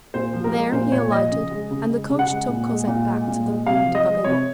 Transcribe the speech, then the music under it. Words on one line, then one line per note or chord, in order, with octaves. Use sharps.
There he alighted, and the coach took Cosette back to the Rue de Babylone.
A#2 C5
F3
A#4
G#3
A#2 C5
A#2 C#5
F3 D#5
C#3
G#3
C#3
G#3
C#3
F#5
G#3
A#2
G#3
A#2
G#3
A#2
G#3
C3 F5
F3
D#5
G#3
C3 C#5